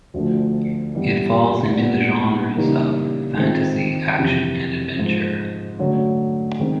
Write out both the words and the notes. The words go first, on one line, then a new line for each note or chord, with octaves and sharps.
It falls into the genres of fantasy, action and adventure.
D2 D3 F3 A3
G2 E3 G3 B3
A#2 G3 B3
C#3 E3 G3 A#3 D#4
D#3 G#3 C4 F4
F2 C3 E3
G#2 F3 G#3
D3 F#3 A3 C#4
D#3 G#3 C4